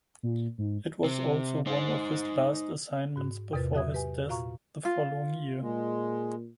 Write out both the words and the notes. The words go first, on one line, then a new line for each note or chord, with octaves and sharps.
It was also one of his last assignments before his death the following year.
A#2
G#2
C3 C4
D#4 C5
G#2 F#4
E2 C3 F4 A#4 B4 A6
F#3 F#4 E5 D#6 G#6
G4 B4 G#5
A#2 F4 F#4 F5 A#5 C#6
F4
A#2 G#3